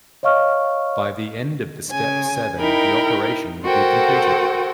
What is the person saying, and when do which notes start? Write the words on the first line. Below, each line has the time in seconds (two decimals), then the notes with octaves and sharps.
By the end of the step seven, the operation will be completed.
0.23 C#5 D#5 F5 C#6 F6
1.90 C#3 G#5
2.59 D#4 E4 A#4 G5 B5
3.64 F#4 A4 A#4 C5 F#5 G5